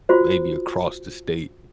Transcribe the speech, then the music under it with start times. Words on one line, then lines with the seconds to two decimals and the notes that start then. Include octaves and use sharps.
maybe across the state.
0.09 F4 F#4 C5